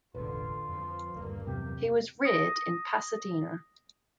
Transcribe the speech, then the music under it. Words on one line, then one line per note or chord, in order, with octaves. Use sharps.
He was reared in Pasadena.
E1 A1 D3 F4 B4
F2 F3
D#1 A#1 G2 D3 A#3
E2 C3 F#3 G4
D#6 A#6